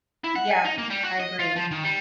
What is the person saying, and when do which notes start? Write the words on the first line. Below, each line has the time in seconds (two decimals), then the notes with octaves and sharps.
Yeah, I agree.
0.24 E4
0.36 F#5
0.51 G#5
0.65 D#4
0.78 A#3
0.90 G3
1.04 F#4
1.20 D#5
1.39 F4
1.56 F3
1.71 D#3
1.84 G3